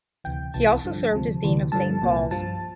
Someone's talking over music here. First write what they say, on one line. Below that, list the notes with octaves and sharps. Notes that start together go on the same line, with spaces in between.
He also served as Dean of Saint Paul's.
D2 C3 E3 G5
C2 C3 E3 A5
G2 D3 F3
D2 C3 F3
D2 C3 E3
G2 D3 F3 A5
C2 A#2 F3
G2 F3 A5